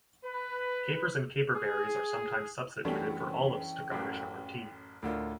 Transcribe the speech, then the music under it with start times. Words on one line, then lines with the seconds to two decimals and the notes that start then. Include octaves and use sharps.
Capers and caper berries are sometimes substituted for olives to garnish a martini.
0.24 B4
1.55 G#4
2.85 F#2 E3 G3 A3 C#4 D4 G5
3.91 A1 F#2
5.03 D2 A2 D3 F4 A#4